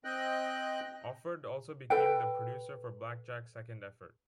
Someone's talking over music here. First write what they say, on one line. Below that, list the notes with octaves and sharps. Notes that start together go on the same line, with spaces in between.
Offord also became the producer for Blackjack's second effort.
C4 D#5 G5 F#6
A4 B4 G5